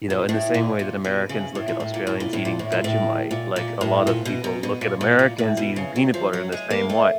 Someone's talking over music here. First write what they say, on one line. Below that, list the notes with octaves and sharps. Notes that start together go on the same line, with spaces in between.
you know, in the same way that Americans look at Australians eating Vegemite, like a lot of people look at Americans eating peanut butter in the same way.
A#2
A2
A#2
A#2
B2
C#3
A2
A#2
A2
A#2
A2
A#2
A2
A#2
A2
A#2
A2
A#2
A#2
A2
A#2
B2
B2
B2
A#2
A#2
A#2
A2
B2
C#3
F#3
F3
F#3
G#3
A#3
A3